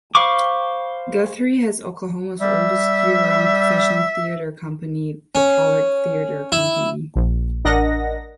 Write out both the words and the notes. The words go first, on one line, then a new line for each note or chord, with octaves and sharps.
Guthrie has Oklahoma's oldest year-round professional theatre company, the Pollard Theatre Company.
C5 F5 B5 C#6 D6
G3 E5
C#4
E4
A#1
A1 D4 A#4 D#5 F#5 A#6